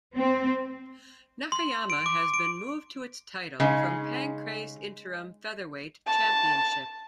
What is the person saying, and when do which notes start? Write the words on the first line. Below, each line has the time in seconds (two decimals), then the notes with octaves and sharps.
Nakayama has been moved to its title from Pancrase Interim Featherweight Championship.
0.16 C4
1.52 C6
1.90 D7
2.06 D6
2.34 D7
3.60 C#3 G#3 D#4
6.07 A5